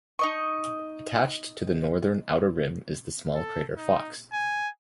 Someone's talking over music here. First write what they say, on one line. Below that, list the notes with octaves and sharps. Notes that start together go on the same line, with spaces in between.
Attached to the northern outer rim is the small crater Fox.
D#4 D#5 C#6
A4
D#4
G#5